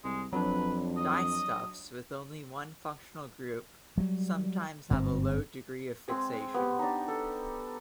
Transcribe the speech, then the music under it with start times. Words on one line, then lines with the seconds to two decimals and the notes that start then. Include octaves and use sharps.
Dyestuffs with only one functional group sometimes have a low degree of fixation.
0.04 C2 G#3
0.33 F2 F#3 D4 B4
0.97 D#5
3.98 F#3 G3
4.91 G1 G#2 C#3 C4
6.08 G#3 C4 G#4
6.54 B3 G4
6.79 D4 D#4
7.08 A4